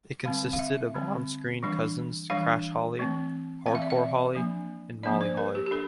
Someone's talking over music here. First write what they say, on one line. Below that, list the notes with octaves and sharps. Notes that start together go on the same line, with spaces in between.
It consisted of on-screen cousins Crash Holly, Hardcore Holly and Molly Holly.
D3 G3 C4 F5
F5
E5
D3 G3 C4
E3 G3 D4
E3 G3 D4 F5
E3 A3 C4
E3 A3 C4 F5
E5
D5
E5
F3 A#3 D4
F3 A#3 D4 D5
C5
A#4
G4
G4
D4 A4